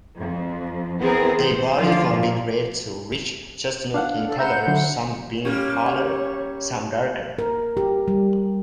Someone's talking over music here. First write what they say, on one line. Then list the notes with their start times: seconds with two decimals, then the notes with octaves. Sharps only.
They vary from brick-red to rich chestnut in colour, some being paler, some darker.
0.19 F2
1.00 E3 B3 C4 G#4 A#4
1.40 C5
1.78 D3 F3 F4 D5
2.09 A#2
3.94 D4 F5 F#5
4.24 A4
4.39 C5 E5 F#5 A#5 B5 G6
4.67 D3 F#3
5.45 G3 A#3 C#4 G4 C#5
7.39 A#4
7.77 G4
8.08 G3